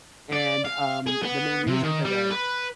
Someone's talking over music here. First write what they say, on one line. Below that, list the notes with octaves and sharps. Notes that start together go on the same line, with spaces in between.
and, um, the main reason for that
D5
F5
G#4
B3
C3
D#3
G3
B4